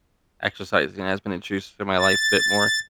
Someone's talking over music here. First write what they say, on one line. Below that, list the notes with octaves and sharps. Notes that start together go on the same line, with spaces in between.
Exercising has been introduced to my life a bit more
A6